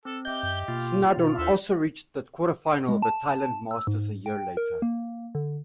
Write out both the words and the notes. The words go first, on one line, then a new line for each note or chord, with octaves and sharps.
Snaddon also reached the quarter-final of the Thailand Masters a year later.
C4 A4
G4 D#5 E5 G6
F#2
B2 A#3 F4
B2
D#2 D4 E4 A4 C5 E5
G#3
A5
E6
G#2
G5
A#4
A#3
D3